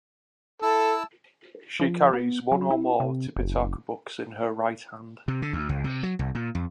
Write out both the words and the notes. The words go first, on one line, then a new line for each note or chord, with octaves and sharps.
She carries one or more Tipitaka books in her right hand.
E4 A4 A5 E6
F3
B3
F#3
E4
C3
F#1
C3
D3
D2
C#2
C3
F#3
C2
A#2
F2